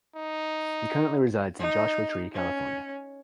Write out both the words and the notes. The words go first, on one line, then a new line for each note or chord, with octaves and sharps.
He currently resides in Joshua Tree, California.
D#4
D#4
C#4